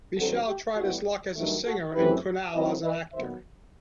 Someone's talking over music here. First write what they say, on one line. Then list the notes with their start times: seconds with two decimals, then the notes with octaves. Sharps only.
Vishal tried his luck as a singer and Kunal as an actor.
0.17 G2 D#3 F#3 C4 F#4 A4
0.47 G4
0.76 A2 G3 B3 E4 F#4
1.35 G2 D#3 F#3 A3
1.65 F#4 A4
1.94 F#2 E3 A3 C4 E4 G4 B4
2.53 D#3 F#3 C4 E4 B4 D#5
2.84 B4 D#5
3.12 D#3 F#3 B3 C5 E5